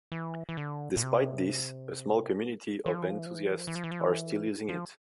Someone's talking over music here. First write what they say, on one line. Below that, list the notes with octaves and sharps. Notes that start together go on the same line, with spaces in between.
Despite this, a small community of enthusiasts are still using it.
E3
E3
D3
A#2
C3
E3
F3
E3
F3
E3
F3
E3
F3
E3
F3
E3
F3
E3
F3
E3
F3